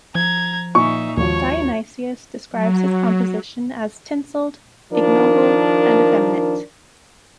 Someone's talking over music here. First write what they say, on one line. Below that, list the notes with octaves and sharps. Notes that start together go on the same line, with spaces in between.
Dionysius describes his composition as tinselled, ignoble and effeminate.
F3 A#5 G#6
A#2 D#4 E5 G#5 C#6
G#1 D#2 F3 F#4 C#5
F#3
D#3 F3 D4 A#4